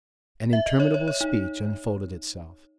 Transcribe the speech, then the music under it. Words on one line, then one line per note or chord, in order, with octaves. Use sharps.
An interminable speech unfolded itself.
E5
D#5
C#5
C#5
C#5
D#4